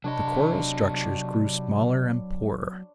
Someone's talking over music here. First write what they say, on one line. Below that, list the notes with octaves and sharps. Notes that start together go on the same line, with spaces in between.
The coral structures grew smaller and poorer.
C3 F#3 D4 C#5 D#5 B5